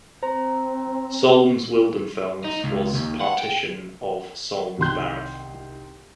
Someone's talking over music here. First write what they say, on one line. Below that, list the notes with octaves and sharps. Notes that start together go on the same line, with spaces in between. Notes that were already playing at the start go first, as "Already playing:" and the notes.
Solms-Wildenfels was a partition of Solms-Baruth.
C4 C5 A#5
D#4
C#2
D#2
F#5
G5
C2 D#3 C6 G6